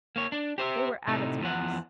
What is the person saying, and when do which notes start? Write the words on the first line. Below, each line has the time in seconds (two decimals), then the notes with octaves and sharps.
They were Abbot's works.
0.16 A#3 C#5
0.32 D4
0.58 G4 C5 C#5 E5
1.08 A2 C3 A3 D#4
1.41 E2 F3 F#5